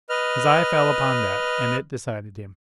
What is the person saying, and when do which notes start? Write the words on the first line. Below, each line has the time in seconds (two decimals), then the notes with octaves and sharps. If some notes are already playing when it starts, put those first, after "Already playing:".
His eye fell upon that, and it decided him.
0.09 B4 D#5 F6